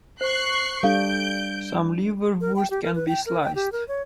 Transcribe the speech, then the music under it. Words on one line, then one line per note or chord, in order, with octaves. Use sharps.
Some liverwursts can be sliced.
C5 C#6 F#6 C7
G3 D4 A4 F5 G6 D7
A#4
G5
G4
A#4
B4
G5
A#4
G5
G4
A#4
C#5